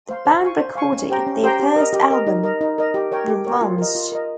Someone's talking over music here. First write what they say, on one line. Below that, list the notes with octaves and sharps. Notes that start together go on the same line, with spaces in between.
The band recorded their first album Revansj!
C5 F5 C6
C5
F5 G#5 C#6
C5
F5 G#5 C#6
C#4
G4 C5 G5 A#5
C#4
G4 C5 G5 A#5
G4
A#4 D#5
G4
A#4 D#5
D#4
A#4 D#5
D#4
A#4 D#5
G4
A#4 C#5 G5
G4
A#4 C#5 G5
F4
A#4 D#5
F4
A#4 D#5